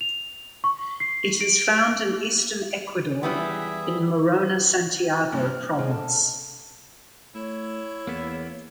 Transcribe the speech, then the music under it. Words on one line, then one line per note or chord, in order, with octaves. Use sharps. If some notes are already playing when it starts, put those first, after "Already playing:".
It is found in eastern Ecuador in Morona Santiago province.
F7
C#6
C7
D7
E3 G3 B3 G#4 E5
A#1 G2 A#2
F6
G#3 C4
A4
A3 E4 C#5
E2 A#3 B3